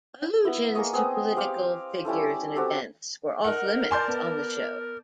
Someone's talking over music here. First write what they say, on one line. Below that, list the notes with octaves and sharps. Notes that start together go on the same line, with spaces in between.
Allusions to political figures and events were off-limits on the show.
B3 E4
A#3 G#4 C#5 D#5
B3 C4 G#4
G4 C5 F5 G5
G3 C#4 E4 A4
C4 F#4 G4 A4
D#4 A#4 F#5
D5 G#5 A5 C6 G6
B3